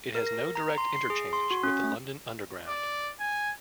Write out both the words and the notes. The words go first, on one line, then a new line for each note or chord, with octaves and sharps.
It has no direct interchange with the London Underground.
A#4
A#6
A#5
C6
C7
G#4
C6
F#4
C#4
A3
D5
G#5